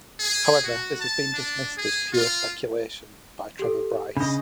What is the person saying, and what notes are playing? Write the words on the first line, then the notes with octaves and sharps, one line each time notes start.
However, this has been dismissed as "pure speculation" by Trevor Bryce.
G#4
F#4
A5
D4
G#4
F4
G4 A4
C#3 D4 D#5 B5